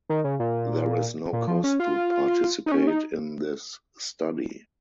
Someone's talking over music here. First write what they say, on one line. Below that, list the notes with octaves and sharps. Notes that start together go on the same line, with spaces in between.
There is no cost to participate in this study.
D#3
C#3
A#2
A#2
F3
C#4
F4
D#4
C#4
D#4